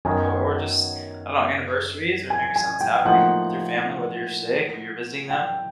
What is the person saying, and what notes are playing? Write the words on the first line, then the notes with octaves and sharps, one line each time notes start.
or or just, I don't know, anniversaries or maybe something's happening with your family, whether you're sick or you're visiting them.
F#2 D#3 F#3 B3 G#5
G#5
G#5
G5
A2 F3 A#3 D#4 F#5
G5